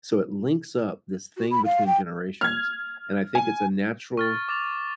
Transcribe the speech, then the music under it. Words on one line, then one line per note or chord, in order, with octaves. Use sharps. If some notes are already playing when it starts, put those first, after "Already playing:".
So it links up this thing between generations, and I think it's a natural
F#4
B5
F5
G5
F6 G#6
G#5
C#6 F6 A6
D6 A6 F7